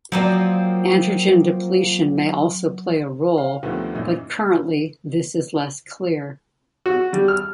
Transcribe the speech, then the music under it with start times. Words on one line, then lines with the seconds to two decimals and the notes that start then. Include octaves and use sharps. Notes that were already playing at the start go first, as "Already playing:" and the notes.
Androgen depletion may also play a role, but currently this is less clear.
0.12 F3 F#3 A#3 C4 D5
3.38 F5
3.63 D#2 D3 D#3 F3 A3 B3
3.95 F#2 A#2 E3 D#4
6.86 F#4
7.13 G3
7.28 F6